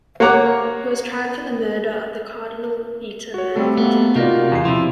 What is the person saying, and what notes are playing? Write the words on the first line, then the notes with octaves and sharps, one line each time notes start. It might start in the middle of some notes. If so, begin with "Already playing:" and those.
He was tried for the murder of Cardinal Beaton and acquitted.
A#3 C#5 F#5 A#5 D6
F#4 C#5
G3 A3 C4 A4
A#3 B3
C3 D#4 F4 F#4 A#4 D5
E2 C7
C3 F3 E4 C6